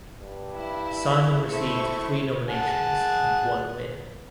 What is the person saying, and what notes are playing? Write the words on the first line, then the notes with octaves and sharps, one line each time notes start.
Simon received three nominations and one win.
G2
E4
A3 E4 C5 C#6
G#4 F#5 A5